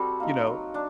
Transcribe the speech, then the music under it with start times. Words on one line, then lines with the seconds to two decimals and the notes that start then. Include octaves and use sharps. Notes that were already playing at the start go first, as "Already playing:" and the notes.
you know,
Already playing: G3 C4 F#4 A4
0.20 A#3 D#4
0.47 F#3
0.74 D4